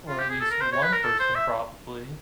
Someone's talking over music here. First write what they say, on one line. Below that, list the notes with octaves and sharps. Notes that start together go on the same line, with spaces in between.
or at least one person probably,
F4
G4
G#4
A4
A#4
C5
C#5
B4
A#4
A4
C5
E5